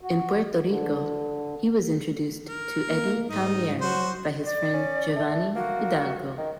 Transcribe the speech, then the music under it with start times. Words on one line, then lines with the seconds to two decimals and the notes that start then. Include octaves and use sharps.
In Puerto Rico, he was introduced to Eddie Palmieri by his friend Giovanni Hidalgo.
0.01 F#4
0.67 D3
2.47 A#4
2.89 A#3
3.30 G#2 D#4
3.81 F#3 F#4 C5
4.44 D5
4.74 C#4
5.16 A3
5.56 A#3 F#4
6.38 D#3